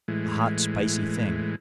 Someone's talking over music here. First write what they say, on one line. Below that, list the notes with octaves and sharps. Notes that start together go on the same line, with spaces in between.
A hot, spicy thing.
A2 E3 G#3